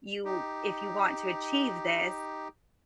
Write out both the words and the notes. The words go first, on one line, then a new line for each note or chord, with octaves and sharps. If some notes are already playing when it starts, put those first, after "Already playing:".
you if you want to achieve this,
D#4 G4